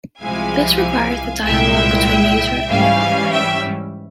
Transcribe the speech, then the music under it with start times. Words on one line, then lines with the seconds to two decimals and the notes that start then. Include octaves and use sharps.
This requires the dialogue between user and developer.
0.20 C2 C3 F3 G#3 E4 F5 G#5
1.44 C2 A#2 G#3 E4 E5 G5
2.68 G#2 E3 G3 C#4 F5 G#5
3.30 E5 G5